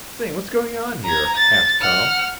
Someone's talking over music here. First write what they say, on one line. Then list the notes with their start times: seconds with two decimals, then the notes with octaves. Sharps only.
"Say--what's going on here?" asked Tom.
1.05 A#5 G#6
1.35 A6
1.80 F#5 F6